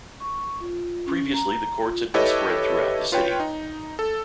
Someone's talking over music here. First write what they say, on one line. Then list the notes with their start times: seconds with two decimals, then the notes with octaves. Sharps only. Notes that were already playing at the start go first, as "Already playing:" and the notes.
Previously the courts had been spread throughout the city.
0.20 C#6
0.60 F4
1.07 C#4
1.33 A#5
1.84 F4
2.14 E4 G4 A4 B4 C#5 D#5
3.12 F4 B4 C#5 G5
3.40 D#4
3.99 A4